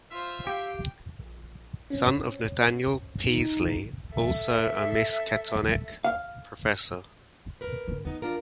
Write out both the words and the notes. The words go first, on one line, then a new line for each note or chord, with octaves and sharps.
Son of Nathaniel Peaslee, also a Miskatonic professor.
F4 C5 E5
G4 F5 G5
A#1
C4 C#4
D#4
A4 E5
F5
A#4 B4
G#1 D3
E2 B3 D#4
D4 F4 A#4